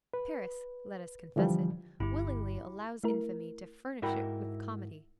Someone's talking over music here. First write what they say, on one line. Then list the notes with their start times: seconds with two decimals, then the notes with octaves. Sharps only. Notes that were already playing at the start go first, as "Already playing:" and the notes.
Paris,--let us confess it--willingly allows infamy to furnish it with comedy.
0.14 B4
1.36 D3 E3 F3 G3
2.00 G1 E4 G4
3.04 A3 E4 A#4
4.02 G#2 E4 F#4 A#4 G5 B5